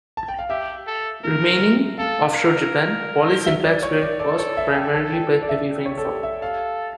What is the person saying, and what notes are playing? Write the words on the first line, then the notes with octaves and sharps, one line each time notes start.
Remaining offshore Japan, Polly's impacts were caused primarily by heavy rainfall.
A5
G5
F5
G4 E5
A4
A#4
A4 F5
A#4
E5
D5
C#5
D5
A4 D5
C#5
E5
G5
A5
G5
D5
E5
C#5
A4
G4
E5
A4 F5